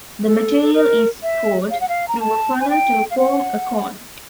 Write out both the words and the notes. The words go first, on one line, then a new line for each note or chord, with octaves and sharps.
The material is poured through a funnel to form a cone.
A4
A4
A#4
E5
F5
F#5
F5
A#5
A5
G#5
G5
F5
F#5